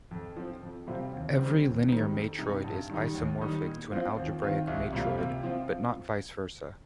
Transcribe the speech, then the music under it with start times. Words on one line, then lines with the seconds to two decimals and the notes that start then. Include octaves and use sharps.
Every linear matroid is isomorphic to an algebraic matroid, but not vice versa.
0.11 F2
0.36 F3 C4
0.62 F2
0.87 C3 G3 C4 F4
1.13 D#2
1.38 D#3 G3 C4 D#4
1.64 D#2
1.88 D#3 G3 C4 D#4
2.13 F2
2.39 C3 G3 D#4
2.64 G2
2.89 D#3 G3 D#4
3.15 D#2
3.41 D#3 G3 D#4
3.66 A#2
3.92 F3 C4 F4
4.17 D#2
4.42 D#3 C4 F4
4.67 C2
4.93 C3 G3 A#3 F4
5.18 C3
5.43 F3 C4 F4